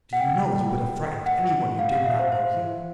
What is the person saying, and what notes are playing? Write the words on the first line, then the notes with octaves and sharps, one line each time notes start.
Do you know, you would have frightened any one who did not know you?
F#5
G5
F#5
F5
F5
E5
C5
C5